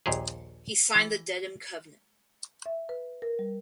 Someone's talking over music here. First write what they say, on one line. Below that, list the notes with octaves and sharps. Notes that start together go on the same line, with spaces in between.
He signed the Dedham Covenant.
A#1 D#2 A#2 G4 G#4
E3
E5
B4
A#4
G3